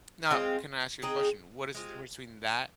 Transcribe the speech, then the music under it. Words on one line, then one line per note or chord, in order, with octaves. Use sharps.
Now, can I ask you a question? What is the difference between that
G#3 C4 F4
G#3 C4 D#4 G#4
G#3 C4 F4